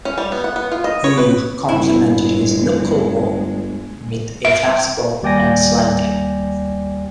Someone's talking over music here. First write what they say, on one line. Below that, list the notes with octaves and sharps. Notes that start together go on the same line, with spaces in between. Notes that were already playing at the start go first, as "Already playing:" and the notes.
Hough complemented his knuckleball with a fastball and slider.
C#4
G3
B3
F#5
B3
F4
D#5
C#5
B4
G1 G#3 E4
E5
D#2 G3 D5 G5 G#5 A#6